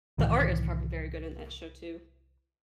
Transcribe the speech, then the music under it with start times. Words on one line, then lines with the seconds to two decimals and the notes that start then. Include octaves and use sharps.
the art is probably very good in that show too,
0.18 C2 A2 D#3 E3